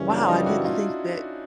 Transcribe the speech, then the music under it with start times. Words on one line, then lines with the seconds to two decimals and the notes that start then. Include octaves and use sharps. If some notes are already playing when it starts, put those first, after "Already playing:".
"Wow, I didn't think that
Already playing: F#2 C#3 E3 G3 C#4
0.10 D4
0.28 D#4 F4
0.46 E4 F#4
0.64 D#4 F4